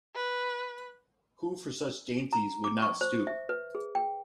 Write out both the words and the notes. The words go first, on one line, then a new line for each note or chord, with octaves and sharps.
Who for such dainties would not stoop?
B4
A#5
D6
C#6
C5
E5
B4
G#4
G5